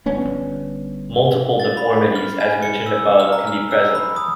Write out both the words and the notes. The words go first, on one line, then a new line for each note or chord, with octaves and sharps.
Multiple deformities, as mentioned above, can be present.
G1 B3 C#4 D4
A6
B5
F6
G#5
C#7
E6
F6
A#5
F6
E6
B5
D#6